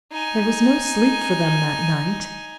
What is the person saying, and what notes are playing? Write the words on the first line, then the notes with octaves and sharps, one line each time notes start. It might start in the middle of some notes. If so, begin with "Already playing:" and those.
There was no sleep for them that night.
D#4 G#5